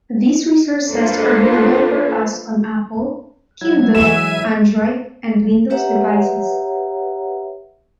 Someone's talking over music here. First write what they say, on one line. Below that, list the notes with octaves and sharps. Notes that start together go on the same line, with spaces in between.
These resources are available for us on Apple, Kindle, Android, and Windows devices.
A#3 D4 F4 A4 B4 C5
F#3 E4 G#6
E3 G#3 E5 D#7 E7
G4 B4 C#5 E5 F#5 A#5